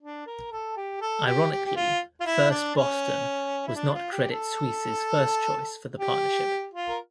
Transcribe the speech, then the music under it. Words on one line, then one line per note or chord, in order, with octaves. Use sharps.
Ironically, First Boston was not Credit Suisse's first choice for the partnership.
D4
A#4
A4
G4
A4
G4
G4
G4
F4
F4
E4
D4
C#4
E4
D4
F4
G4
A4
G4
F4
A#4